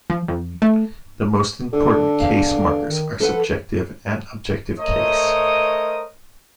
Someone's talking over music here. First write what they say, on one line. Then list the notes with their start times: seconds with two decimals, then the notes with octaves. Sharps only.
The most important case markers are subjective and objective case.
0.10 F3
0.28 F2
0.62 A3
1.73 D3 A4
2.20 E2 F5
2.85 D#3
3.20 F3 A4 B4 F#5
4.79 A3 A#4 C5 C#5 D#5 D#6